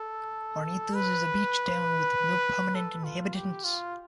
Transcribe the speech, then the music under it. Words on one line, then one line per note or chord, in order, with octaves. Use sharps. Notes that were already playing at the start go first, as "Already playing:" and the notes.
Hornitos is a beach town with no permanent inhabitants.
Already playing: A4
B4
A4
F4
G4
F4